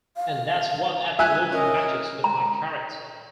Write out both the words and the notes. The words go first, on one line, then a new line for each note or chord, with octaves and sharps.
And that's what absolutely matches with my character.
F5
E5 G#5 F#6
C#4 A#4 D#5
A#5